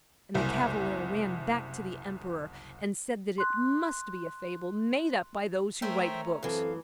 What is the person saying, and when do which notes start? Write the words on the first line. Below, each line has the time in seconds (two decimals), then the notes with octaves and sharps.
And the Cavalier ran back to the Emperor, and said that it must be a fable made up by those who write books.
0.34 F#1 C2
3.38 C6 F#6
5.82 A3 C#4 A#4 C5 E5 G5
6.43 F#2 E3 A3 C4 A4 F5